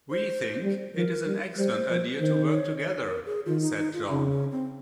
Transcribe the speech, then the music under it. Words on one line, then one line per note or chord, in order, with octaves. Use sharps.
"We think, it Is an excellent idea to work together," said John.
C5
G3
F3 A#4
G3
G3 C5
F3
D#3 C5
C#5
C#5
A#4
G#4
D#3 F4
D#4
D#4
F4
C#3 D#4
C#4
C4